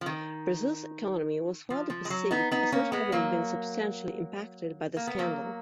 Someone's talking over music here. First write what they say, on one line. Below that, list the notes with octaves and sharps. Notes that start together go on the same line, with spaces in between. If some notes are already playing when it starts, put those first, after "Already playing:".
Brazil's economy was widely perceived as not having been substantially impacted by the scandal.
F3
D#3
F3
F3
G#3
F#3
B3 D#4
B3 D#4
A#3 C#4
G#3 B3
F#3 A#3
A#3
B3
F#3 A#3